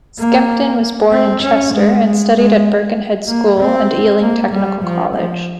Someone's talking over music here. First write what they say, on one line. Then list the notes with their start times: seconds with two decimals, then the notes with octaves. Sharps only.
Skempton was born in Chester and studied at Birkenhead School and Ealing Technical College.
0.19 A#3
1.11 C4
1.42 C#4
1.74 G#3
2.04 G#3
2.35 G#3
3.28 A#3
3.59 C4
4.21 A#3
4.53 G3
4.84 F3
5.14 F3